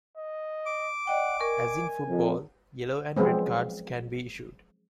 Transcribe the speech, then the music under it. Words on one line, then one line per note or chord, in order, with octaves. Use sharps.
As in football, yellow and red cards can be issued.
D#5
D6
D5 D#5 F#5 G5
A#4 G#5 C#6
F2
F3 F#3 G#3 B3 C4